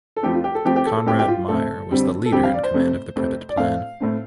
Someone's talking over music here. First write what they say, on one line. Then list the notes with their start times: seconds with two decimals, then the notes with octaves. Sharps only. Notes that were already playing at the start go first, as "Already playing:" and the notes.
Konrad Meyer was the leader in command of the 'Pripet plan'.
0.16 A4
0.23 F2 F3 A3 C4 G4
0.34 F4
0.44 G4
0.55 A4
0.65 F2 F3 A3 C4 G4
0.76 G4
0.86 A4
0.97 A4
1.06 A2 A3 C4 G4
1.19 G4
1.28 F4
1.48 A2 A3 C4 A4
1.91 F2 D3 G3 C4
2.25 A4
2.32 F2 D3 G3 C4 G4
2.44 F5
2.54 D5
2.63 C5
2.74 F2 C3 A3 C4
3.16 F2 C3 A3 C4
3.49 D5
3.57 A2 A3 C4 F5
4.00 A2 A3 C4